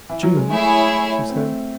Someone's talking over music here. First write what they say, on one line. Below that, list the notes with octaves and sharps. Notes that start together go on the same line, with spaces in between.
"Jude," she said.
E3
F#3
G#3
A3 E4 G#4 C#5 E5 G#5
C4
A3